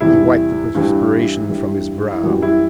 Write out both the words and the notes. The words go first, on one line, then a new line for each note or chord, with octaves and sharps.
He wiped the perspiration from his brow.
E2 C3 G3 E4
G2 E3 G3
G2 E3 G3
E4
F#2 E3 G3 F#4
E4